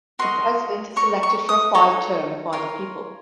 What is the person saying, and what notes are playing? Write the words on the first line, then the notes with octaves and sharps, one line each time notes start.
The president is elected for a five term by the people.
F#4 A#4 D#5 C6
D#4 A#4 C#5 C#6
C#6
D#6
D#4 A4 C#5 C#6
F4 A#4 C#5